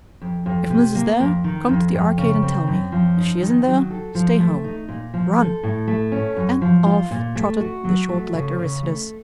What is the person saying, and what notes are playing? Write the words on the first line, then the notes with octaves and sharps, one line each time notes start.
"If Mliss is there, come to the Arcade and tell me. If she isn't there, stay home; run!" And off trotted the short-legged Aristides.
F2
F2
C3
A#3
F2
D#3
F2
F2
C#3
C4
F#2
F3
D#4
D#3
F#3
A4
F3
A3
D#4
A#2
F3
A4
A2
A3
C#4
F#2
F3
F4
A#2
A3
F#4
F#3
A3
C#3
C#3
A3